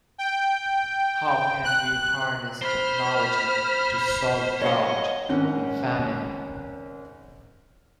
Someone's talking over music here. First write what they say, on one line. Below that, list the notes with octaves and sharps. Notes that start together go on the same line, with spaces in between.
How can we harness technology to solve drought and famine?
G5
F#6
C5 B5 F6
C#5 D#5 F5 F#5
G#1 C#4 F#5